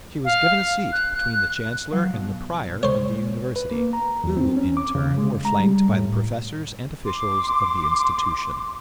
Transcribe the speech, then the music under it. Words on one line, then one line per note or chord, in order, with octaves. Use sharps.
She was given a seat between the chancellor and the prior of the university, who, in turn, were flanked by the professors and officials of the institution.
F5
F#6
F#6
F#3 F5
B2
G#3 C5 C#5
B4
A#3
A#5
E2
C4
C#4
D6
C#3
G#3
A#5
G3
A2
C6 D6